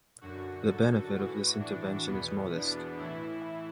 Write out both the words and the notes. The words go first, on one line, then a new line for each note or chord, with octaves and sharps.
The benefit of this intervention is modest.
F#2 D3 F#4
A4
A2 E3 F#4
D4
E2 B2 B3
D4
A2 E3 E4